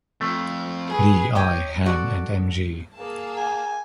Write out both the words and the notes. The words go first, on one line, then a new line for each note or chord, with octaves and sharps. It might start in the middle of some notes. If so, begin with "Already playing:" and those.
Lee, I. Han, and M.-G.
F2 A3
G#4 B4
C#5 D#5 G5 D6
F#4 A4 D5 F#5
A#3 G#4 A5
G#5